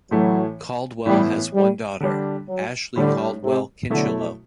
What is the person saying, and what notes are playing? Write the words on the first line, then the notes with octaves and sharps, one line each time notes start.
Caldwell has one daughter, Ashley Caldwell Kincheloe.
A2 E3 F#3 A3 E4
A2 E3 G3 B3 E4
G3
D3 G3 D4
F#3
A2 D3 G3 D4
C3
B2 D3 F#3 A3 E4